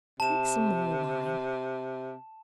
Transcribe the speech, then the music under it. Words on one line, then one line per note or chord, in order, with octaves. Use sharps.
Drink some more wine.
C3 A5 E7